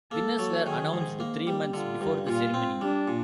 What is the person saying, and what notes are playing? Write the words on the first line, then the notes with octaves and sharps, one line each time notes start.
Winners were announced three months before the ceremony.
A#3 A4
F#3
D#3 G#4
G#2
A#3
G3
D3 F4
G2
A#2 F4
C4
G3 D4
A#2